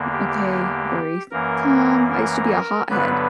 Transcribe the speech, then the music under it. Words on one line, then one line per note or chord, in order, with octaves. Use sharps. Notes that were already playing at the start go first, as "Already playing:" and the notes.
okay, very calm. I used to be a hothead.
Already playing: E2 D3 A#3
G4
G4
F#2 E3 A#3 A#4
A#4
G2 D3 F#3 B3 B4